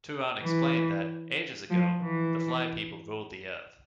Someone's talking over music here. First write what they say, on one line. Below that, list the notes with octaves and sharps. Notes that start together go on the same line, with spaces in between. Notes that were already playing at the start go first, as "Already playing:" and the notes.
Turan explained that, ages ago, the Fly People ruled the Earth.
E3
F3
E3